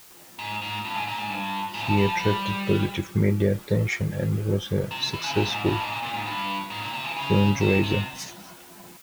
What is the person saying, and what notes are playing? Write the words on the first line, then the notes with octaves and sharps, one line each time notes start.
He attracted positive media attention and was a successful fundraiser.
G#2
G#2
G2
G#2
A#2
G#2
G2
G#2
F3
G3
F3
G3
C3
E3
C#3
A#2
C3
G#2
G2
G#2
A#2
A#2
G#2
G2
G#2
A#2
C3
E3
C#3
C3
C3